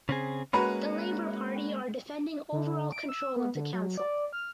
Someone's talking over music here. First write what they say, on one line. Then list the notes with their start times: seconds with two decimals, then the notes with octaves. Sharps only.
The Labour Party are defending overall control of the council.
0.09 C#3 C4 G#4
0.53 G#3 A#3 C#4 F#4 B4 A#5 B5
2.52 D3
2.92 D7
3.09 E6
3.36 B3
3.55 D3
3.73 F#3
3.97 D5
4.33 F6